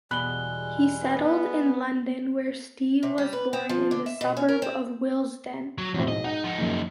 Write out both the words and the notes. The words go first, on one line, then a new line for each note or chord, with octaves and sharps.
He settled in London, where Steve was born in the suburb of Willesden.
E2 B2 G3 G#3 B5 F#6 G7
B3
C3
G3
B4
C4
F3
D3
E5
B2
C#4
A#4
C4
F#3
E2 A2 F3 F#3 C4
B1 G#2 D#5
D#4 F#5
F3 D#4
F#2 C#3 A#3